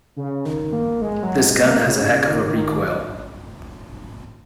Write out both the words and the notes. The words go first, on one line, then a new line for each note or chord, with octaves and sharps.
This gun has a heck of a recoil.
C#3
D#3
A#3
G#3
F#3
G#3
A#3
C#3
C#3
D#3
D#3